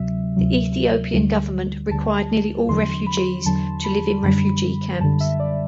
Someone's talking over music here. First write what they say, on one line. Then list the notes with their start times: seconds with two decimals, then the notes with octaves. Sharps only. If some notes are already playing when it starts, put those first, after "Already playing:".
The Ethiopian government required nearly all refugees to live in refugee camps.
Already playing: D2 C3 F#3 E5
0.36 D2 C3 F#3
1.14 D2 D3 G3
1.90 D2 D3 G3 A5
2.68 E2 D3 F#3 C6
3.07 B5
3.45 E2 D3 F#3 A5
3.84 B5
4.23 F#2 D3 G3 B5
5.01 F#2 A5
5.03 D3 G3
5.20 E5
5.40 D5